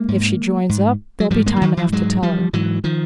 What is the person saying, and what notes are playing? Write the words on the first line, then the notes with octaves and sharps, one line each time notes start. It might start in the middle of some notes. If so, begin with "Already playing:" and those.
If she joins up, there'll be time enough to tell her.
Already playing: G#3 A#3
G#2
G#2
F#3
G#2 F3 G3
G#3 A#3
E3
D#3 F3
E3 F#3
G#2 F#3 G#3
F3 G3
G#2 E3 F#3
D#3 F3